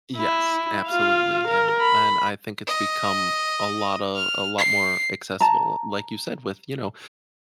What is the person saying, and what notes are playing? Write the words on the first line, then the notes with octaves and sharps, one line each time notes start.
Yes, absolutely, and and I think it's become a lotta a lot more accessible, like you said, with, you know,
E4
F4 F5
A#4
B5
D#5
F6
C7
A5 A#5